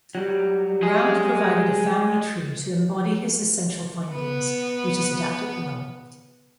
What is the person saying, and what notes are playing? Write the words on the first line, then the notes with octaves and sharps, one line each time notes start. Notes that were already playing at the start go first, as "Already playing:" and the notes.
Round provided a family tree to embody his essential findings, which is adapted below.
F#3 G3
G#3 G#4
B3 B4